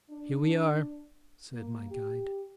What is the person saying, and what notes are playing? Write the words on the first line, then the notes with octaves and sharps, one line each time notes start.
"Here we are," said my guide.
D4
A#3
G4